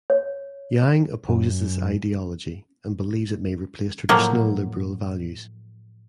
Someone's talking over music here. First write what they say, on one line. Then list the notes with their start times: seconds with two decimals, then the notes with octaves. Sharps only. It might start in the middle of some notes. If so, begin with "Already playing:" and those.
Yang opposes this ideology and believes it may replace traditional liberal values.
0.10 C#5
1.29 F#2
4.09 A2 F3 F#3 A#3